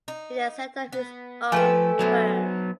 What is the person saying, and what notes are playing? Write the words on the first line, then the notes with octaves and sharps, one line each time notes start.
He then set up his own firm.
D#4
B3
F3 A3 G4 A4 B4 G5 G#5
F#3 B3 D4 E4 C5